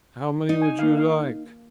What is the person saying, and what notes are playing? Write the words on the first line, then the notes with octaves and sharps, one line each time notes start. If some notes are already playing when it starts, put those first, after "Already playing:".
"How many would you like?"
D#4
G#5
A#3 F5
F5